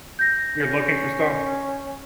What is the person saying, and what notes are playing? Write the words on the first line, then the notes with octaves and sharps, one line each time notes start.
You're looking for stuff?
G6 A#6
C#4